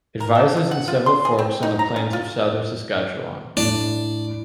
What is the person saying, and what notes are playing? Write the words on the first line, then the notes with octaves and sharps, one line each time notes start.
It rises in several forks on the plains of southern Saskatchewan.
A#4
A4
F3
F#5
F4
C6
G#4
C4
D#4
A#5
C#4
F4
A2 D4